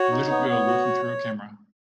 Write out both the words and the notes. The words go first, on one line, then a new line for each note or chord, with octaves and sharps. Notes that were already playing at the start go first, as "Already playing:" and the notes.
A little girl looking through a camera.
Already playing: F#4 C#5
D#4
B3
B3
F#4